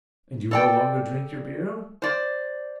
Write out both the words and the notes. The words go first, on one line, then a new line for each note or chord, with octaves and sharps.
"And you no longer drink your beer?"
A4 D5 G5
C5 D5